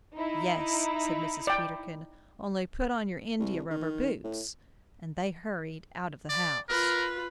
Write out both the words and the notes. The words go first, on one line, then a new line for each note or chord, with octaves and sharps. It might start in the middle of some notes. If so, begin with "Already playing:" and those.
"Yes," said Mrs. Peterkin, "only put on your india-rubber boots." And they hurried out of the house.
D#4 E4
D5 G5
C2
D#3
A2
D5
F4 A#4 B4